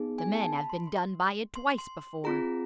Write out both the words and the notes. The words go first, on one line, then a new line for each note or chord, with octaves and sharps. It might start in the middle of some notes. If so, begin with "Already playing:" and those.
The men have been done by it twice before.
Already playing: B3 D#4 G#4
G#5
A5
B5
C6
C6
C6
C6
C4 F4 G#4 A#5